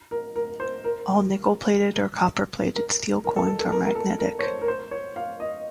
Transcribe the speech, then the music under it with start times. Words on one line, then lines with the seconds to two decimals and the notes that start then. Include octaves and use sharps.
All nickel-plated or copper-plated steel coins are magnetic.
0.11 A#4
0.36 A#4
0.60 C5
0.84 A#4
2.76 A#4
3.24 A#4
3.36 A4
3.47 A4
3.60 A4
3.72 A#4
3.85 A#4
3.95 A4
4.19 A#4
4.39 C#5
4.43 C5
4.62 A#4
4.68 C5
4.91 C#5
5.16 F5
5.40 D#5